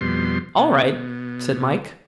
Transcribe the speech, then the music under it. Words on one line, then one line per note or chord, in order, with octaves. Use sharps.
"All right," said Mike.
F2 B2 G3 C6
B2